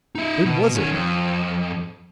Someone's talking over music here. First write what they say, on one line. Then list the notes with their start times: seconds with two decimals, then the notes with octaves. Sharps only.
When was it!
0.15 D#4 E5
0.45 B2
0.76 D#3 C#4
0.92 F2